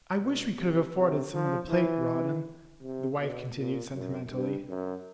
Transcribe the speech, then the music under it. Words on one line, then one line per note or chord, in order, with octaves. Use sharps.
"I wish we could have afforded some of the plate, Rawdon," the wife continued sentimentally.
B2
C3
C3
F3
E3
C3
B2
A#2
F#2
G2
F#2